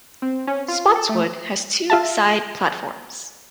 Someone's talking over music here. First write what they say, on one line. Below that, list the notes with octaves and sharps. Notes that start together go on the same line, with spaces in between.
Spotswood has two side platforms.
C4
C#4
F4
A4
A3
F4 E5 A5